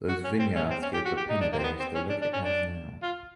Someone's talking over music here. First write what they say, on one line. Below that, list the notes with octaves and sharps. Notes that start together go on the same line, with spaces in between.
Those vineyards gave the Penedès the look it has now.
F#4
C#4
C4
C#4
C4
C#4
G4
F#4
G4
D#4
D4
A#3
C4
B3
C4
C#4
D4
D4
C#4
D4
F4